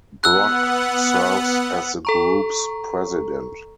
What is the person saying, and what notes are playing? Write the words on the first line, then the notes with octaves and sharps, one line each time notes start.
Brock serves as the group's president.
B3 F#5 E6 F#6
A4 A#5 C#6